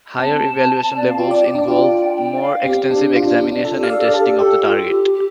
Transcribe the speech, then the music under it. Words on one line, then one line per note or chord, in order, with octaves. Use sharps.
Higher evaluation levels involve more extensive examination and testing of the target.
C4 A5
D5
F5
F4 G5
D5
D4
F4 G5
G5
D5
F5
C4 G4
D4
F4
D4
D4
D4
F4 A4
G4
F5
A4 D5
D5
G4 A4
G4 A4
F4
F4
G4
G4